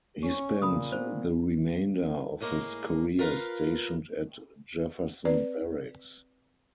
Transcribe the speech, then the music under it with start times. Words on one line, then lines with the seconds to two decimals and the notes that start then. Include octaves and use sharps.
He spent the remainder of his career stationed at Jefferson Barracks.
0.23 C#4 C#6
0.62 A#2 C#3 B5 D#6
0.92 B3 C5
2.41 A2 G#3 A#3
3.19 F4 A#4 B4 F5
5.25 C4 B4 D5